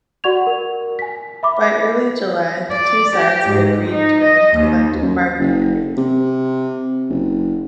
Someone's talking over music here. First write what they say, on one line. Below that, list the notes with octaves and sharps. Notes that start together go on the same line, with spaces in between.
By early July, the two sides had agreed to a new collective bargaining agreement.
F#4 D5 F#5 C#6 G#6 F7
A#4
G#5 B6
E5 B5 D6
D5
G4
G#2
D#4
D#5
D#2
F#2
F#1
C3
F#1